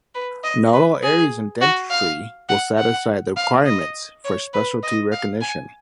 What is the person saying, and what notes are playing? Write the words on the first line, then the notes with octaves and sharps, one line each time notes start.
Not all areas in dentistry will satisfy the requirements for specialty recognition.
B4
D#5
B4
G#4
F#4
F5
F#5
F#5
F5
D#5
C#5
B4
D#5
F5
G#5